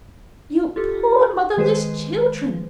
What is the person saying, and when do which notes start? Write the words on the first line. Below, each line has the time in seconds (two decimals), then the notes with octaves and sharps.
'You poor motherless children!
0.76 F4 G4 A4
1.57 D#3 G#3 G#4 B4 C5